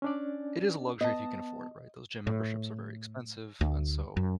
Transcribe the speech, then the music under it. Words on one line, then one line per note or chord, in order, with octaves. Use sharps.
it is a luxury if you can afford it, right? Those gym memberships are very expensive, and so
C#4 D4 D5
B3 D#5 A5
A2
D2
F#2